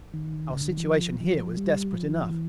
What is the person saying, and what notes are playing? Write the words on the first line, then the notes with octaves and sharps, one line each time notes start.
Our situation here was desperate enough.
D#3
C#3
D3
D#3
E3
F3
F3
G3
F3
E3